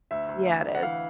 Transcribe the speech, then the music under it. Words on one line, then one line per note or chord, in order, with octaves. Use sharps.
Yeah, it is.
D2 E5
D2
D2
D2
F#5
E3 F5